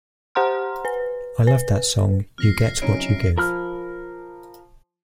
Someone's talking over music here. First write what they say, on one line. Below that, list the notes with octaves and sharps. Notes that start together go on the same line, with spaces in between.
I loved that song 'You Get What You Give.
G4 C5 F#5 A#5 C6 F6
B4
B4
F2 G#2 F6 A#6 C7
C#3 F#3 C4 C#4 D#4 E4 D7
F3 A#4 B5 F6